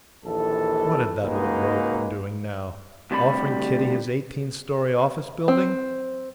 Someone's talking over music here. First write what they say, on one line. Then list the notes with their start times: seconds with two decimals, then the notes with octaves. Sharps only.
What had that old rogue been doing now--offering Kitty his eighteen-story office building?
0.25 A#1 D#2 E3 A4
1.24 C#2 G#3 A#3 D#4 F#4 B4
3.11 D2 C3 G3 G4 B5
5.48 C4